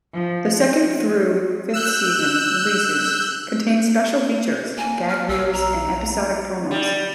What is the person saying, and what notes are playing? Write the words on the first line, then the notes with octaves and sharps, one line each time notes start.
The second through fifth season releases contain special features, gag reels and episodic promos.
F3
E6 F#6 G6
A#3 G#5
F6
B1 E6
A#5
G3